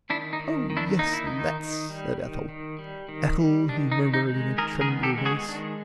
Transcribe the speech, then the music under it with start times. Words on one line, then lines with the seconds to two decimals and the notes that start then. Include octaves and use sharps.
Oh yes lets said Ethel." "Ethel he murmered in a trembly voice.
0.10 D#3 D4 E4
0.33 D#4
0.39 D#3
0.70 D#3
0.77 D4 E4
0.99 A#3 D#4
1.13 E4
1.27 D#3 D#4
1.60 D#3
1.90 G3
2.19 D#3
2.49 D#3
2.79 G3
3.09 D#3
3.39 G3
3.68 D#3 D4
3.92 D#4
3.99 D#3
4.14 D#4
4.28 G#3
4.58 D#3 G#4 A#4
4.81 G#4 A#4
4.88 B3
5.03 G4 A4
5.18 G#3
5.25 F#4 G#4
5.48 D#3 D4